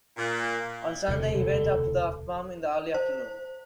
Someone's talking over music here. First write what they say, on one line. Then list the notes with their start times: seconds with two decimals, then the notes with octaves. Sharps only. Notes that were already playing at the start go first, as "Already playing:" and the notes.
On Sunday he went up to the farm in the early afternoon.
0.17 A#2
1.08 E1 D2 C3 A4
2.94 C5